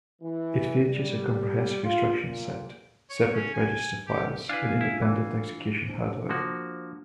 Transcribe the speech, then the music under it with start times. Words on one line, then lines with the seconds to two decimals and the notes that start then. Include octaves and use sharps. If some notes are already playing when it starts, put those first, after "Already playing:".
It features a comprehensive instruction set, separate register files and independent execution hardware.
0.22 E3
0.84 G3
1.83 F4
2.20 A#2
3.10 C#5
3.34 C#4
3.54 G#5
4.07 G4
4.49 D4 E4 B4 F5 G#5
4.81 D4 E4 F4
5.02 E3
5.87 D4 C5
6.29 F3 A#3 F#4